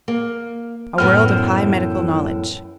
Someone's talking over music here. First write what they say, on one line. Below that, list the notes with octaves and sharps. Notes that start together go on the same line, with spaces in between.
A World of High Medical Knowledge.
A#3
F#2 A2 B3 F6
E3 C5